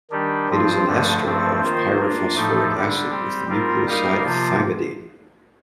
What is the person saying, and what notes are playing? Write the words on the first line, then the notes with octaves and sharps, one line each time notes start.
It is an ester of pyrophosphoric acid with the nucleoside thymidine.
D#3 G3 D4 G4
G2 F3 C4 F4
G2 D3 F3 A3
G2 F3 A3 C4
D#3 A#3 F4 C5
A#3 D4 F4
A2 F3 A3 D#4 A4
D3 G3 D4
G3 C4 G4
G3 C4 F4 A#4
G3 A#3 D#4 A#4 F5
C3 F3 A#3 F4